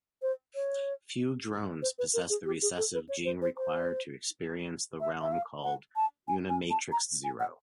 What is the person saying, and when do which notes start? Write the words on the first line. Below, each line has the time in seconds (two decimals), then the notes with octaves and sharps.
Few drones possess the recessive gene required to experience the realm called Unimatrix Zero.
0.22 C5
0.55 C#5
1.82 C5
1.99 B4
2.14 A#4
2.30 G#4
2.46 G4
2.62 G#4
2.78 A4
2.94 B4
3.09 C#5
3.25 C5
3.42 C5
3.57 C5
5.00 E5
5.22 E5
5.32 F5
5.64 F#5
5.96 A5
6.28 G#5
6.49 G#5
6.71 A5
6.92 A#5
7.24 G#5
7.40 F#5